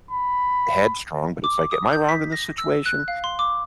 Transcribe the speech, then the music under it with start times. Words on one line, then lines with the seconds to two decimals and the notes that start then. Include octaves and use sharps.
headstrong, but it's like, am I wrong in this situation?
0.11 B5
1.44 D6
1.71 D#6
1.93 G6
2.09 B6
2.32 A#6
2.58 E6
2.86 F#6
3.08 F5
3.24 C6
3.39 D6